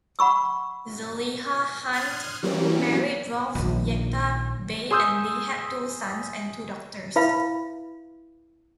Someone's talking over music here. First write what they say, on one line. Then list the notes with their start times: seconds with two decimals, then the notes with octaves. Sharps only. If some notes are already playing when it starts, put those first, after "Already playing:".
Zeliha Han married Rauf Yekta Bey and they had two sons and two daughters.
0.19 F#5 B5 C#6 E6
1.93 C6 D#6 F6 F#6 G#6
2.43 E3 F#3 G3 A#3 C4 C#4
3.55 A#1 D#3
4.91 G#4 C6 D#6 E6 G6
7.16 E4 B4 E5 F5 B5